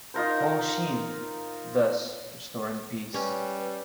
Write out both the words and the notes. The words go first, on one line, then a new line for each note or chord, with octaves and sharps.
Houshin, thus restoring peace.
D#4 F4 A#4 C5
G3 C#4 B4